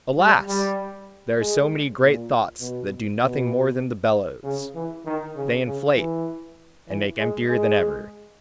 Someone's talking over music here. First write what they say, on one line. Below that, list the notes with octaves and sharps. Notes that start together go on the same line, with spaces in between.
Alas! there are so many great thoughts that do nothing more than the bellows: they inflate, and make emptier than ever.
G3
G3
G#3
A#2
B2
B2
C#3
E3
D#3
C#3
C#3
E3
E3
G#3
G#3